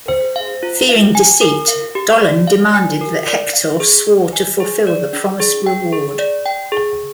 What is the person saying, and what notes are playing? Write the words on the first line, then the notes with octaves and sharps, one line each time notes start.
Fearing deceit, Dolon demanded that Hector swore to fulfill the promised reward.
C5
F5
F4
F5
G#5
A#4
F5
G4
D5
F5
G#5
A#4
D5
F5
G#4
D#5
G#5
G#4
D5
D4
G#4
G5
G#4
D5
G5
G#4